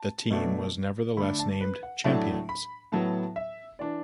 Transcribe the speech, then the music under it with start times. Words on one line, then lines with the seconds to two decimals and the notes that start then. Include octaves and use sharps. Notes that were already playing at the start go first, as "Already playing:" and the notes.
The team was nevertheless named champions.
Already playing: A5
0.30 B2 F#3 A3 D4
1.17 D3 A3 D4 B5
1.39 A5
1.61 B4
1.83 F#5
2.04 A2 F#3 A3 D4 A5
2.49 B5
2.92 A2 F#3 B3 A5
3.36 E5
3.79 E3 D4 D5